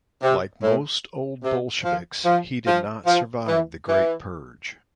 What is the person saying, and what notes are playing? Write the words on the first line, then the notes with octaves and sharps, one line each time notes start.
Like most Old Bolsheviks, he did not survive the Great Purge.
C3
A2
C3
F3
F3
F3
F3
E3
E3